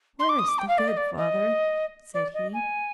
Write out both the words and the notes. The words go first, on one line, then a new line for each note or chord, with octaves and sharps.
'Where is the good, father?' said he.
C6
D6
D#6
D6
G5
F5
D5
D#5
D5
D#5
D5
D#5
G#5